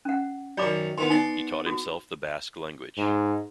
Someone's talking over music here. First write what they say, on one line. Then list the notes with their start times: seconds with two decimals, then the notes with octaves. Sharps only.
He taught himself the Basque language.
0.05 C#4 F#5
0.58 F#2 D#3 D5 B5 D6
0.98 D#3 E3 B3 C6
1.10 B3 D#4 D5 C6
1.66 F#4
2.97 G#2